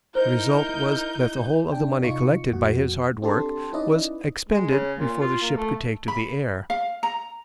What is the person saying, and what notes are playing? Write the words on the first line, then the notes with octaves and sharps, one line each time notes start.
The result was that the whole of the money collected by his hard work was expended before the ship could take to the air.
D#4 E4 A#4 C5 G6
D4 G5
C3 D#4 F4 C#6 C#7
F2 A#2 F#4
C4 D4 G4 A4 A5 C6
C#4 D#4 E4 B4 D5 D#5
G#3
C#3
A#2
F4
A#3
A3
B5
F5
A#5